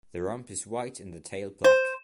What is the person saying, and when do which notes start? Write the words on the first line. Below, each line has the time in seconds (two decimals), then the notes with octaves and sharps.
The rump is white and the tail black.
1.64 C5